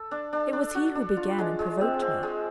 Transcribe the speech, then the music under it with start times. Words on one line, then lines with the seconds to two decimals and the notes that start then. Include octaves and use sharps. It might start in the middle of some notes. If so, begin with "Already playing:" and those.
It was he who began and provoked me.
Already playing: A4
0.11 D4
0.33 D4
0.53 D4
0.75 F#4
0.95 D4
1.17 F4
1.38 G#3
1.59 G#3
1.81 C4
2.02 C4
2.23 G#3